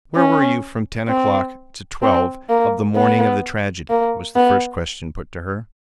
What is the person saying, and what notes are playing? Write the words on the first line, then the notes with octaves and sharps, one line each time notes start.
"Where were you from ten o'clock to twelve of the morning of the tragedy?" was the first question put to her.
C#4
C4
C4
A#3
B3
A#3
B3